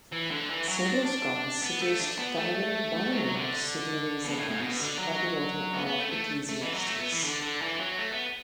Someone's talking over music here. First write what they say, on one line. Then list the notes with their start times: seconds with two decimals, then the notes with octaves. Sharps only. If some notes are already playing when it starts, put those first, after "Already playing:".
Several scholars suggest direct borrowing of Siduri's advice by the author of Ecclesiastes.
0.13 E3
0.31 D3
0.50 E3
0.69 F#3
0.88 D4
1.05 D4
1.62 B3
1.81 A3
2.00 D4
2.18 B3
2.37 A3
3.12 F#3
3.25 F#3
3.36 D3
4.25 B2
4.37 A2
4.50 A2
4.62 B2
4.80 D3
4.99 F#3
5.74 B3
5.87 B3
6.00 A3
6.12 A3
6.49 A3
6.61 E3
6.74 F#3
6.86 A3
6.99 B3
7.12 E3
7.24 D3
7.43 D3
7.62 E3
7.80 F#3
7.99 A3
8.12 B3